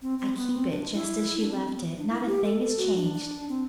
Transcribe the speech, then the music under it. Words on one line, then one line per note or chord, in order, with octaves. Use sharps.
I keep it just as she left it, not a thing is changed.
C4
C4
B3
C4
D4
E4
D4
C4
C4
B3
D4
E4
G4
A4
A4
F#4
D4
D4
C4